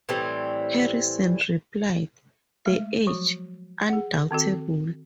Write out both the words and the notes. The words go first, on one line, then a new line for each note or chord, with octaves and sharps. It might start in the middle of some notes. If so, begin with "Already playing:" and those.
Harrison replied, The age, undoubtedly!
A2 E3 G3 C4
G#3 A3
F3 F#3 F#4
G#4 F#5
D#3 C4 F#4 A4